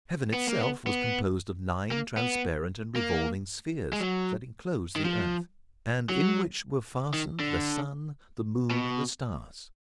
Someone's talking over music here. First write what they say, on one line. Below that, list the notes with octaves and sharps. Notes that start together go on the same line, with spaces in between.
Heaven itself was composed of nine transparent and revolving spheres that enclosed the earth, and in which were fastened the sun, the moon and the stars.
B3
A#3
B3
B3
A#3
B3
A#3
G#3
F#3
D#3
F3
F#3
D#3
D3
B2